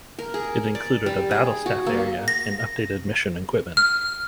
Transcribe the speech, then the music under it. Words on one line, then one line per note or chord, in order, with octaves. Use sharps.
It included a battlestaff area and updated mission equipment.
A#4
G#4
D5
G3
G#4
F#4
A#3
A#6
F6